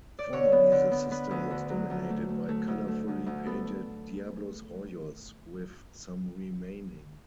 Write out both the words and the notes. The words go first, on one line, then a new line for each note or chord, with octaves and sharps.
Formerly, the system was dominated by colorfully painted "diablos rojos", with some remaining.
D5
D3 C#5
B3
D3
B3
B3 B4
D2
D3
F#3
D2
A3
A3
A3
D2
A3
D2
D2
B3 A4